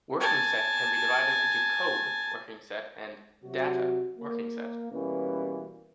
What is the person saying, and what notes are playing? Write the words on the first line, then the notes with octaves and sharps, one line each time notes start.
Working set can be divided into "code" working set and "data" working set.
G#5 A5
C3 F#3 F#4
A#3
B2 E3 G3 A#3 C#4